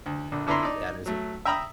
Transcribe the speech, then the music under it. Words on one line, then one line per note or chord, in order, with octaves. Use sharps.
That is a
D2
A#1 D3
F2 D3 E4 B4 A#5 C6
D#4 D5
F#3 A3
E5 G5 A#5 B5 D#6 E6